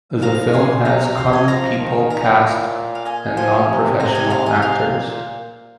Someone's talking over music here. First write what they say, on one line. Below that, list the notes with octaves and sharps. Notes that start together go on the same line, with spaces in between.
The film has common people cast and not professional actors.
F3 F5 A#5
G#5 C6
C3 F5 A#5
F5 A#5
C3 C5 F5
D#5 G#5
F3 F5 A#5
D#3
A#2 F5 A#5
F5
D#5 G#5
F3 D#5 G#5
C3
C3 F5 A#5
D#5 G#5
F5 A#5
D#5 G#5
C3 C5 F5
A#2